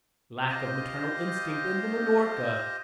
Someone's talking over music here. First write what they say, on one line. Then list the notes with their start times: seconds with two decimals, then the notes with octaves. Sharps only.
Lack of maternal instinct in the Minorca.
0.49 F4 G4 C5 D#5